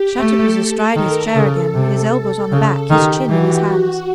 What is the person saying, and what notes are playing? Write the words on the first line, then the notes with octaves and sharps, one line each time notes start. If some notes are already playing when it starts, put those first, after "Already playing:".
Shattuck was astride his chair again, his elbows on the back, his chin in his hands.
Already playing: G4
A3 A4
D#3 A#4
C#3 A4
C3
C#3
D#3 G4
E3 F#4
F#4